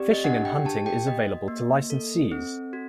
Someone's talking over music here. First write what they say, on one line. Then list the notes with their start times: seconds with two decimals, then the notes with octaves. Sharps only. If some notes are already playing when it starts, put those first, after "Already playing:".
Fishing and hunting is available to licensees.
Already playing: C4 G4 D5
0.13 D#5
0.24 D4 F#5
0.45 G5
0.65 G4 A5
0.86 G5
1.07 F#4 D#5
1.48 A#3
1.90 A4
2.31 C4
2.73 F#4